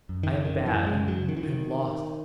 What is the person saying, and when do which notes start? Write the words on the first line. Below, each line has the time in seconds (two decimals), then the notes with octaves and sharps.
'I am bad, I am lost.
0.09 F#2
0.23 D#3
0.37 C#3
0.45 D#3
0.65 F#2 E3
0.86 G#3
0.93 C#3
1.08 F#3
1.22 C#3
1.29 D#3
1.37 E3
1.43 D#3